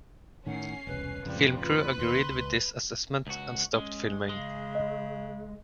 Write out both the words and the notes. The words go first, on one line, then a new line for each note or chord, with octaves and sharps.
The film crew agreed with this assessment and stopped filming.
A2 D#3 C#4 F#5 C7
E1 C2 B4
F2 A2 C#3 F3 G3
F4 B4
D#2 B2 C6
C#2
C#2 F#4
G#3 C#4
C#3 G#3
D#5